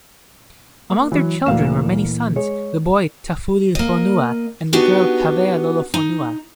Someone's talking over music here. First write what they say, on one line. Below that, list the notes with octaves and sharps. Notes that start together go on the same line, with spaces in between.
Among their children were many sons', the boy Taufulifonua and the girl Havea Lolofonua.
A#3
E3 F#3
D2 A#2 E3 A#3 F5 E7
G#3 C#5
A#3 D#5
B3 D4 D#4 F#4 G4
D#4